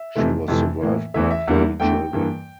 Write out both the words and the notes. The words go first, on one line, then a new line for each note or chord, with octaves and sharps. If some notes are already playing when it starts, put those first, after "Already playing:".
She was survived by three children.
Already playing: E5
F2 C3 E3 A3
F2 C3 E3 A3
A2 E3 A#3
E2 E3 A3 E5
E5
E2 D3 G3 A#3 E5
E2 D3 A3 G5
G2 E3 A#3